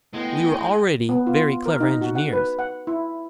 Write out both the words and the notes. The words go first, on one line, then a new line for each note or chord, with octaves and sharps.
We were already very clever engineers.
A2 G#3 B3 D#5 G5
B3
F4
A#4
D#4
F#4
F#5
B4
F#5
E4